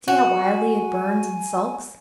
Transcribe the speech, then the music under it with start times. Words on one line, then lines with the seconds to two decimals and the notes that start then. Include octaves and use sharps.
See how wildly it burns and sulks.
0.08 F#4 G#5